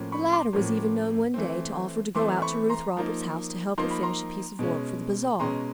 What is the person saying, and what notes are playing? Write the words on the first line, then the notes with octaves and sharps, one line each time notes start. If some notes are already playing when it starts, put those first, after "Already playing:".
The latter was even known one day to offer to go out to Ruth Roberts' house to help her finish a piece of work for the Bazaar.
Already playing: A2 F3 A#3 C#4
B5 C#6
C6 D6
A2 F3 A#3 C#4
E3 A3 C4
E3 A3 C4 C6 D6
B5 C#6
A#5 C6
F3 A#3 D#4
F3 A#3 D#4 C6
B5
A#5 C6
B2 G#3 C#4
B2 G#3 C#4 A#5 C6